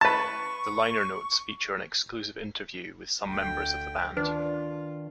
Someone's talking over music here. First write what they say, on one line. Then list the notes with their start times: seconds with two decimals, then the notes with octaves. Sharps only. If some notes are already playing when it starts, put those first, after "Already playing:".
The liner notes feature an exclusive interview with some members of the band.
0.01 B4 A5 C#6
3.25 D2 G5
4.17 D#3 D4 F4 B4